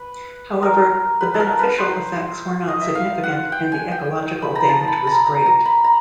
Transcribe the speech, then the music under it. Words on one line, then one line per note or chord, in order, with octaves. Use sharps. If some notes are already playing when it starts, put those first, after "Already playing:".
However, the beneficial effects were not significant and the ecological damage was great.
Already playing: B4
A#4
B4
A4
A#4
B4
C5
D#5
E5
F5
F#5
G5
G#5
G5
B5
A#5
A5
B5
A#5
A#5
A#5
B5
A#5